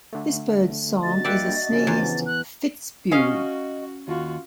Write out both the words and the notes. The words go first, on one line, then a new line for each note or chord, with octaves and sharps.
This bird's song is a sneezed "fitz-bew".
D3 A3
D4 F#4 D#5 A6
G3 A#3 D5 E5 F#5 G5
C#3 F3 C#4
E2
F#6
C#4 F#4 D#5 F5
D#2 F4 F#4